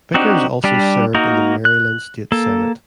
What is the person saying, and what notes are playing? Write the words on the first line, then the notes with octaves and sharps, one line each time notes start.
Vickers also served in the Maryland State Senate.
C4 D4 D#4 F#4 G4
G3 D4 G4
A#3 D#4 F#4 A#4
F#6
A#3 A4